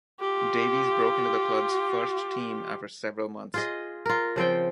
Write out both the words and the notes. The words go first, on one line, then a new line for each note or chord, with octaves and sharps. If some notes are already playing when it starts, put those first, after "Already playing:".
Davies broke into the club's first team after several months.
F4 G4
F4 G#4 D#5
F4 A#4
C#3 F3 C4 G5